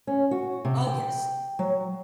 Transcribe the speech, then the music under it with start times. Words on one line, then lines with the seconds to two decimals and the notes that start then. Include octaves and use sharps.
Oh, yes.
0.07 C#4
0.31 F#4
0.65 C3
0.87 G5
1.59 F#3